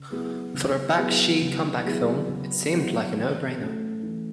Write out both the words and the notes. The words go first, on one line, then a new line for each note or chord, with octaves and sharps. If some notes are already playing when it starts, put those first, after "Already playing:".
For a Bakshi comeback film, it seemed like a no-brainer.
Already playing: C#3
F#3 B3 E4 G#4
C#3
F#3 B3 E4 G#4
C#3
F#3 B3 E4 G#4
C#3
F#3 B3 E4 G#4
E3
A3 C#4 F#4 A4
E3